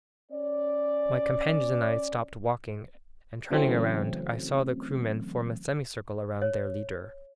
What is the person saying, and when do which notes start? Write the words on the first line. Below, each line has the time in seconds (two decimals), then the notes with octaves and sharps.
My companions and I stopped walking, and turning around, I saw the crewmen form a semicircle around their leader.
0.32 C#4 D5
3.51 C#3 E3 F#3 A3 C4 C#4
6.41 C#5